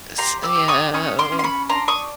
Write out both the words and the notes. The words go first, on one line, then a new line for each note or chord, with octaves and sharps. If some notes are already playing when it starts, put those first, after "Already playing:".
s uh,
G4 A#5 C6
D6 E6
G4
C#6 D#6
C#4 C#6 D#6
C6 D6
C#4
C6
B5 C#6
D4 A#5 C6
C#6 D#6